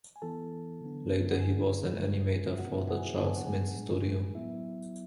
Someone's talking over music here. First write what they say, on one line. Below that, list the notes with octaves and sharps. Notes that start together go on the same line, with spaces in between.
Later he was an animator for the Charles Mintz studio.
G#5
E3 B3 E4 A4 A5
D3 F#3 B3 D4
F#5
D3 A3 C#4 E4 G#4 G#5
C#3 G#3 D4
E5
B2 F#3 B3 E4 F#4 F#5
E4 E5
F#5
G#4 G#5
A2 F#3 B3 D4 A5
G#5
F#5
G#4 G#5
A2 G#3 D4
F#3 B3 E4 E5